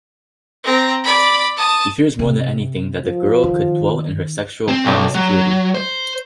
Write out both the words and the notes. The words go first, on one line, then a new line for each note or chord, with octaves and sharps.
He fears more than anything that the girl could dwell in her sexual promiscuity.
C4 A#5
D5 B5
A5 D#6
C3
F3
D#3
C4
B1
F#3
C5